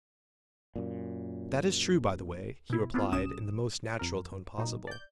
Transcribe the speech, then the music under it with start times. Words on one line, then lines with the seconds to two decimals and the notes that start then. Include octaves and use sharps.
"That is true, by the way," he replied, in the most natural tone possible.
0.76 F#2 A#2
2.70 B2 E4
2.94 B3 C4 D4 E4 F4
3.12 B1 F#3 C#4 D#6 E7
3.99 F2 A#4
4.58 A#2 F#3 D#4
4.87 D5 G6